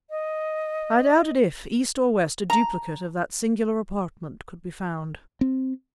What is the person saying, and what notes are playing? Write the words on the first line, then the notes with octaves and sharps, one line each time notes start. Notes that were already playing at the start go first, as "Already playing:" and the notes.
I doubt if, East or West, a duplicate of that singular apartment could be found.
D#5
A#5
C4